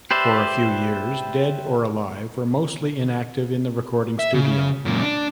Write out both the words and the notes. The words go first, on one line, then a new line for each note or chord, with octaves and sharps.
For a few years, Dead or Alive were mostly inactive in the recording studio.
G4 B4 C5 D5 E5
E5
C#3
F#2 A#2
D4